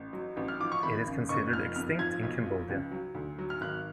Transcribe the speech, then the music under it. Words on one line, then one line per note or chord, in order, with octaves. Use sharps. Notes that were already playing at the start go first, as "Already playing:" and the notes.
It is considered extinct in Cambodia.
Already playing: A1
F#3
A1
F6
F3 D6
C#6
G#1 B5
C#3
F#1 C#6
F3 F6
F2 F6
F3 G#6
B1
F3
C#2
F#3
D2
F#3
F6
G#1 F#6